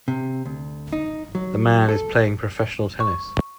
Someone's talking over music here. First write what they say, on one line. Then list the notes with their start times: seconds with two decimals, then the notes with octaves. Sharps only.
The man is playing professional tennis.
0.08 C3
0.45 D2
0.93 D#4
1.35 F#3
1.89 A4
3.00 C#6